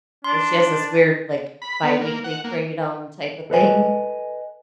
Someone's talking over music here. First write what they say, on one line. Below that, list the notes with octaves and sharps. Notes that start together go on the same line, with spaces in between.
So, she has this weird, like, biweekly freedom type of thing.
D4 C6
B5
B3
A#3
F#5
A#3
A4 B4 D#5 G#5